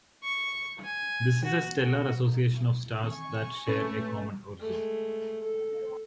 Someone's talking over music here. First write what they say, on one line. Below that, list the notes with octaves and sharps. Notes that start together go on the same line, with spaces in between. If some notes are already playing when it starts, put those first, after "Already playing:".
This is a stellar association of stars that share a common origin.
C#6
G#5
F#4
F#4
D#3 E3 C4 G#5 C#6
A2 G#3 A3 C4 C#4 B4 A6
G#3 A3
A4